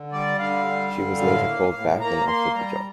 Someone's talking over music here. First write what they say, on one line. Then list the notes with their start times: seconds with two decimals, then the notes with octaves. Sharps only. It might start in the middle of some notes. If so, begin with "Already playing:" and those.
She was later called back and offered the job.
Already playing: D3
0.12 G3 D5
0.38 D3 F5
0.66 G3
0.93 D3
1.19 A2
1.47 A#3
1.73 A2
2.00 A#3 A#5
2.27 A#3 C6
2.54 G3 A#5